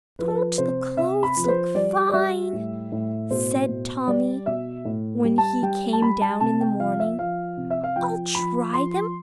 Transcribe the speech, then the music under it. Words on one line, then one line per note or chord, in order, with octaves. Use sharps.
"Don't the clothes look fine?" said Tommy, when he came down in the morning; "I'll try them on."
F3 B4
A4
B4
C3 C5
C3 E5
B5
F3
B4
C5
G3 D5
D5
G3 E5
A2
A2
B2 C5
B2
G3 D5
B2 E5
A2
G3
A5
G3 G5
A5
G3 B5
A5
C3 A5
G5
F3 F5
E5
F3 F5
C3
E5
F5
F3 G5
F3 B5
F3 C6